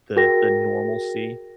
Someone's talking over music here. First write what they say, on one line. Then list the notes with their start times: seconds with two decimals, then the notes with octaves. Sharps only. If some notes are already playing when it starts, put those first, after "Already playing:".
the the normalcy,
0.16 F#4 G#4 A#4 G5 A#6